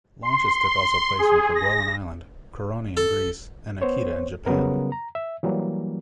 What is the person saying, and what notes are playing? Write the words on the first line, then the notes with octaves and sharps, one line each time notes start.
Launches took also place from Kerguelen island, Koroni in Greece and Akita in Japan.
C6
G#4
A#6
A4
B3 C5 C#5
C#3 F#3 G3 B3 A#4
A#5
E5
E3 F#3 G3 A#3